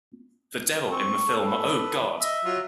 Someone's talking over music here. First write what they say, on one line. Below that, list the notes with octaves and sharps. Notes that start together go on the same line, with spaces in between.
The Devil in the film Oh, God!
C4 C#6
A4
B4
D#5 E5
F#3 F4